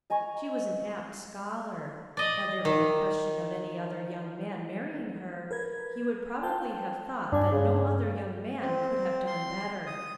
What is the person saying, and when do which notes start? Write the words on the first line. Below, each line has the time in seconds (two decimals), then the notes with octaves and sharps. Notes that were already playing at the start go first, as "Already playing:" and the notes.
She was an apt scholar. Had there been a question of any other young man marrying her, he would probably have thought that no other young man could have done better.
0.10 D#5 G#5 A#5 C#6
2.17 D5 D#5
2.65 D#3
5.51 A#4 B4 G#6
6.43 C5 G5 A5
7.32 G2 D4 G#5
7.52 C#3
8.61 C4
9.27 C6
9.86 D#6